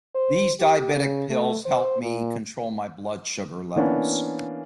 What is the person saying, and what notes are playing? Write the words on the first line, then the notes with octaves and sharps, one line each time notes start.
These diabetic pills help me control my blood sugar levels.
C5
G4
C#3
A3
C5
A#2
E3 A#3 B3 C#4 D4